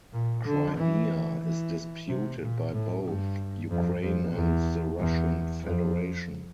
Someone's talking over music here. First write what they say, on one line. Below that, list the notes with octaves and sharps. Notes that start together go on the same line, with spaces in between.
Crimea is disputed by both Ukraine and the Russian Federation.
A#2
D3
E3
E3
C3
A#2
A2
G2
F2
F2
E2
E2
F2